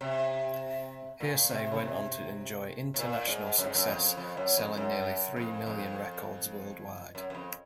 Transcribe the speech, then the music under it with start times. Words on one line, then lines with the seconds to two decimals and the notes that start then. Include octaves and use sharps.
Hear'say went on to enjoy international success, selling nearly three million records worldwide.
0.01 C3
1.20 A#2
1.50 C3
1.72 C#3
1.79 C3
2.94 C3
2.98 A#2
3.28 G#2
3.58 F#2
3.66 G#2
3.75 F#2
3.87 F2
4.17 F2
4.37 F#2
4.57 F2
4.77 F#2
5.36 F2
5.66 F2
7.15 F#2
7.30 F#2
7.35 F2